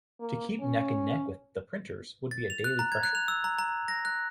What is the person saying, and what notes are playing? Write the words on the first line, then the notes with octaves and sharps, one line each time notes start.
To keep neck and neck with the printers would be a daily pressure.
A#3
C#4
A6
F7
F#6
A#5
G#6
F#6
F7
E6
A#5
A#5
A#6
F#6